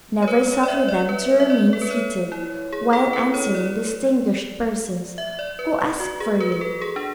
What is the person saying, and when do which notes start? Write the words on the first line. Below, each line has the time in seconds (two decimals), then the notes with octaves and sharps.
Never suffer them to remain seated while answering distinguished persons who ask for you.
0.22 C#5
0.28 B4
0.48 C#5
0.63 D5
0.68 E5
0.88 D5
1.09 B4
1.40 E5
1.50 D5
1.73 A4
1.82 B4
1.91 C#5
2.32 E4
2.73 G#4
2.93 A4
3.13 B4
3.34 C#5
3.55 D5
5.18 E5
5.39 D5
5.59 B4
6.00 F#4
6.20 G#4
6.40 B4
6.52 B4
6.61 A4
6.82 G#4
6.96 D4